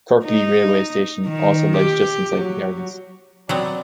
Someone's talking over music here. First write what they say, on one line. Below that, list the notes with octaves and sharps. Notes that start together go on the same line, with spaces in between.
Kirklee railway station also lies just inside the gardens.
D#4
D#3
G4
F#3
F#3 B3 C4 D5